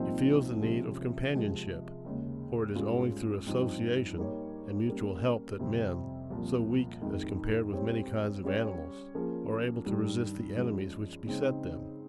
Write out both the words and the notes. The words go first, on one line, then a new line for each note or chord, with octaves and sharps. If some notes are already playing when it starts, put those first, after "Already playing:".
He feels the need of companionship, for it is only through association and mutual help that men, so weak as compared with many kinds of animals, are able to resist the enemies which beset them.
Already playing: C2 A#2 F3 C4 D#4
C3 F3 G#3 C#4 G#4
C3 F3 G#3
D#2 C#3 G#3
G#2 G3 C#4 F4 G#4
G2 F3 C4 D#4
G3 A#3 D#4 G4 C#5
G3 A#3 C#4
F2 C3 G3 C4
C2 A#2 F3
F2 D#3 G#3
G3 C4 G4 C#5
G3 C#4 G4 C#5
F3 A#3 C#4 G#4
G2 D#3 G3
F3 G#3 C#4
C#3 G#3 C4 D#4